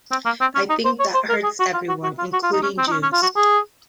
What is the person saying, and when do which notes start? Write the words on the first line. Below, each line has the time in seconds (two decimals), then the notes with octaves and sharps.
I think that hurts everyone, including Jews.
0.11 C4
0.26 A#3
0.41 C4
0.55 C#4
0.70 D#4
0.85 C5
1.00 C#5
1.15 C5
1.29 A#4
1.44 G#4
1.60 F#4
1.74 F4
1.88 F#4
2.04 F#4
2.19 F4
2.33 F#4
2.43 F4
2.53 D#4
2.63 C#4
2.78 C4
2.87 D#4
2.92 C#4
3.03 C#4
3.13 F4
3.22 F#4
3.36 G#4